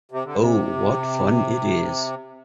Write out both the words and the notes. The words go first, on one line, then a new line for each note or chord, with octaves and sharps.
Oh, what fun it is!
C3
D3
C3